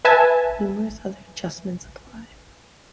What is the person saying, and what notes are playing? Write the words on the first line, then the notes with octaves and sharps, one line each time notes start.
Numerous other adjustments apply.
B4 E5 G#5 A5